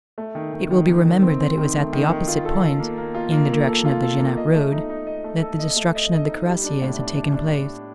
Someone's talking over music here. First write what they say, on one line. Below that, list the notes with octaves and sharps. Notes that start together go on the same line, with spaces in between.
It will be remembered that it was at the opposite point, in the direction of the Genappe road, that the destruction of the cuirassiers had taken place.
A3
D#3
D#3
D#3
D#3
D#3
C4
C4
D#3
A3
D#3
D#3
F4
A4
A4
A#3
A#3
F4
A#3
A#3
A4
F4
A4
A#3
D#5
A3
D#4
D#4
D#5
A3
A4
D#5
A3
D#5
D#5
D#4
G3
D4
A2
D4
D4
D4